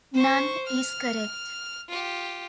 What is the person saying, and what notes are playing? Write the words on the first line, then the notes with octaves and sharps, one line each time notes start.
None is correct.
C5 C#6
F6
F4 G4